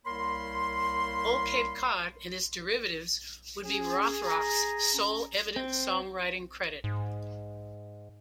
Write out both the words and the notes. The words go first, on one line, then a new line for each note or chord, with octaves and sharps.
"Old Cape Cod" and its derivatives would be Rothrock's sole evident songwriting credit.
C2 A#3 A#4 C#5 B5 C6
C#4 G#4
A#5
C#4
C4
G#2